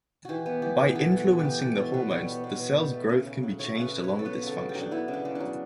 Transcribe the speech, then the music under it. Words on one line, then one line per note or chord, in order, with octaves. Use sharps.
By influencing the hormones, the cells' growth can be changed along with its function.
E3 F#4 G4
B3
E3 G4
B3
E3 A4
B3 F#4
E3
G4
B3
B3 A4
B2 C#5
B2 B4
G3 C#5
B3
B2
B2
G3
A3
C#3
C#3
F#3
A3 C#5
C#3
B4
C#3
F#3 C#5
A4
B3 B4
C#3 A4
C#3
G4
F#3
D4
B3 E4
C#3
D4
C#3
D4
F#3